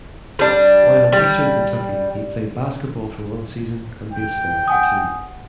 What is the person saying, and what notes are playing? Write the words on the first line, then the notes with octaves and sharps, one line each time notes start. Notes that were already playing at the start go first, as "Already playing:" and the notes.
While at Eastern Kentucky he played basketball for one season and baseball for two.
G3 D4
G3
G5
F#5 G#5 D#6